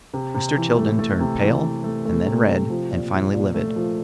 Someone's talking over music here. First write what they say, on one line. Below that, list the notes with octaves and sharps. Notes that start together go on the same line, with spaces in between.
Mr. Tilden turned pale, and then red, and finally livid.
C3
C3
E3
A3
A3
C3
E3
C3
A3
A3
C3
C3
F3
A#2
F3
A#2
A3
F3